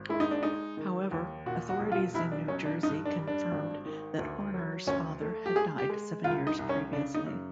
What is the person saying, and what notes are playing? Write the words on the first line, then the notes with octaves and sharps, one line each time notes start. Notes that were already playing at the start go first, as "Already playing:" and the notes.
However, authorities in New Jersey confirmed that Horner's father had died seven years previously.
Already playing: G#1
G#3 E4
D#4
D4
G#3 D#4
D#3
D#2
A#2 F#4
F#4
B1
F4
B1 E4
D4
B1 C#4
D4
G2 D#4
D4
G3
D4
G#1
D#3
D2
F#3
D2 C#4
A3
G4
G#3 G#4
G4
G#3
C2 F4
D#4
C2
C#4
C#3 D4
D#4
F#2